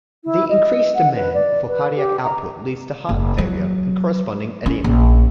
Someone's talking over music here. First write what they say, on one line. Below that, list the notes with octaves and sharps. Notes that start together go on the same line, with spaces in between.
The increased demand for cardiac output leads to heart failure, and corresponding edema.
E4
D#5
F#5
B4
D5
B4
G4
A#5
F#1
F#3
C#4
A#1